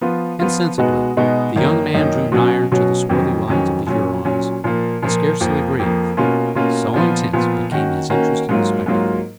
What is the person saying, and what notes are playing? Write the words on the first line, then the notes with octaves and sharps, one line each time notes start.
Insensibly the young man drew nigher to the swarthy lines of the Hurons, and scarcely breathed, so intense became his interest in the spectacle.
F3 B3 F4
F3 B3 F4
B2 G#3 B3 D#4 F#4
B2 G#3 B3 D#4 F#4
F#2 D#3 A#3 D#4
F#2 D#3 A#3 D#4
B2 F#3 C#4
B2 F#3 C#4
F2 D#3 F#3 C#4
F2 D#3 F#3 C#4
A#2 F#3 C#4
A#2 F#3 C#4
A#2 F3 A#3
A#2 F3 A#3
F2 F3 A#3
F2 F3 A#3
B2 A#3 C#4 F4
B2 A#3 C#4 F4
A#2 F3 B3 F4
A#2 F3 B3 F4
D#3 A#3 C#4 F#4
D#3 A#3 C#4 F#4
G#2 F#3 A#3 F4
G#2 F#3 A#3 F4